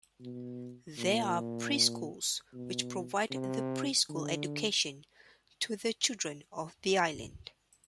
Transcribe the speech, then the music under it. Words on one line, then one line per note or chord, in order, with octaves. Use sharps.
There are pre-schools which provide the pre-school education to the children of the island.
B2
A#2
B2
C3
D3